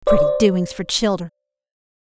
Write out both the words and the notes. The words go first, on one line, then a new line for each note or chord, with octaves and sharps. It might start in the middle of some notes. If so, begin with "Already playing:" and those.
Pretty doings for children.
C5 D5